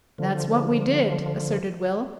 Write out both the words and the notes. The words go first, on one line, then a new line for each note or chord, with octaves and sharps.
"That's what we did," asserted Will.
D3 F3